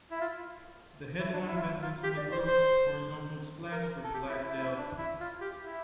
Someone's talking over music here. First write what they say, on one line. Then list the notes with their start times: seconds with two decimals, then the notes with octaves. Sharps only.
The headlamp bezels and the grille's horizontal slats were blacked-out.
0.11 E4
0.21 F4
1.19 E4
1.33 D4
1.48 E4
1.57 F4
1.62 E4
1.82 F4
2.03 G4
2.17 D5
2.32 C5
2.45 C5
3.72 A#4
3.82 A#4
4.04 A4
4.14 G4
4.29 E4
4.43 E4
4.57 E4
4.78 D4
4.98 E4
5.20 F4
5.41 G4
5.63 E4